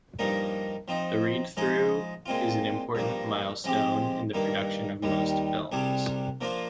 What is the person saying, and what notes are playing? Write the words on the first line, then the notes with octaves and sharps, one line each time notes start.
The read-through is an important milestone in the production of most films.
G2 F3 A#3 D#4 A#4
F3 C4 D#4
F3 G#3 D#4 G#4
A#2 G#3 C4 F4
G2 F3 A#3
F3 G#3 C4 G4
G2 D#3 A#3
D#2 D#3 G3
C2 C3 G3 D4 G#4
F3 A#3 D4 F4 C5